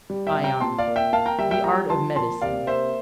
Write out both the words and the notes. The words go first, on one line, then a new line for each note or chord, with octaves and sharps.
ION: The art of medicine.
G3
E5 G5
C3
G5 A#5
A#2 A5 C6
D5 F5
A#3
E5 G5
A#3 F5 A5
G5 A#5
G3 E5 G5
E5 G5
F3 G5 A#5
F3 A5 C6
A#3 A5 C6
C3 D5 F5
A#3 C5 E5